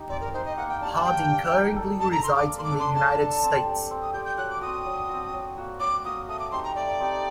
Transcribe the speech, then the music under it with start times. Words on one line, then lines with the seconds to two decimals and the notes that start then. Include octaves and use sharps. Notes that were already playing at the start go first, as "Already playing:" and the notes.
Hardin currently resides in the United States.
Already playing: D#4 G4
0.09 C4 D5
0.21 A#4
0.33 D#4 G4 C5
0.45 D#5
0.57 A#3 F#5
0.69 G5
0.81 D4 A5
0.85 G4
0.93 A5
1.04 A#3 G5
1.28 D4 G4
1.52 D#4
1.76 A4 D5
2.00 D#4 A5
2.12 A#5
2.23 A4 D5 C6
2.36 D6
2.47 A#3
2.58 C6
2.64 D6
2.71 D4 A4
2.79 C6
2.95 A#3 A5
3.19 D4 A4
3.43 C4
3.66 G4 D5
3.91 C4
4.02 D#6
4.13 G4 D5 G6
4.25 G6
4.38 F#3 F#6
4.50 D6
4.61 C4 F#4 D#6
4.86 F#3
5.09 C4 F#4
5.33 F#3
5.57 A#3 F#4
5.80 F#3 D6
6.04 A#3 F#4 D#6
6.28 A3 D#6
6.39 D6
6.51 C4 D#4 G4 C6
6.64 A#5
6.75 A3 D5
7.00 C4 D#4 G4